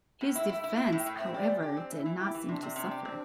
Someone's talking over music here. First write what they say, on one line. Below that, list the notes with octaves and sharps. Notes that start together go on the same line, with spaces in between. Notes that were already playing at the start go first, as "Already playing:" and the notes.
His defense, however, did not seem to suffer.
A2
E4
E4 E5
E4
E4 E5
A2 G5
A2
C4 E5
G4 D5
E3
D4 G4
C4
E3 E4
E3
E4 G4
E3
C3 D4
C3
C3 D4
G4
C4 D4